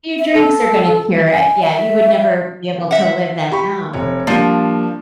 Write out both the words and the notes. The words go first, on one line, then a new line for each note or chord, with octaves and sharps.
"Few drinks are gonna cure it." Yeah, you would never be able to live that down.
E5
A4
G#5
E5
E5 F#5
G4 B5 C#6
F1 C#5
F3 G3 A#3 D4